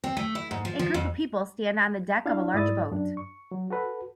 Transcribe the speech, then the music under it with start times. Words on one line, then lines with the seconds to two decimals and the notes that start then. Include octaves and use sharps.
A group of people stand on the deck of a large boat.
0.04 C4
0.17 A3
0.35 E4
0.51 G#2
0.65 F3
0.79 F3
0.94 F2
2.26 D4 E4 F5
2.54 G#2 E4 D5 D#6 A6
2.92 F#2 D4
3.17 C#6
3.51 F#3
3.70 F#4 A4 B4